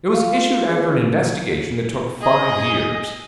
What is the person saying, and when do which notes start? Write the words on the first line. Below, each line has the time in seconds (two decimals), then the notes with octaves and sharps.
It was issued after an investigation that took five years.
0.14 F4
0.67 C#2
2.21 G#4 D#5